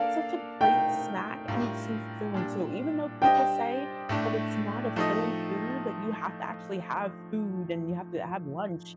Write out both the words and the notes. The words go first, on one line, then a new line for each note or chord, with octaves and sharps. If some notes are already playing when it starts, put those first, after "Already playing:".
it's such a great snack, and it's so filling too, even though people say that "It's not a filling food, that you have to actually have food and you have to have lunch,"
Already playing: A#3 D4 A4 D5 F5
A3 D#4 A#4 G5
A2 G3 D4 F4 A#4
A#2 G3 D4
G3 D4 G4 C5 D#5 G5
A2 A3 D4
F3 A3 D#4 A4 D#5